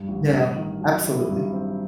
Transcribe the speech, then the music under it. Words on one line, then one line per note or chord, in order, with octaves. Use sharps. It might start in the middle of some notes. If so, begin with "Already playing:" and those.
Yeah, absolutely,
Already playing: G2
A1
A1
D#3
F#3
E4
G2
C4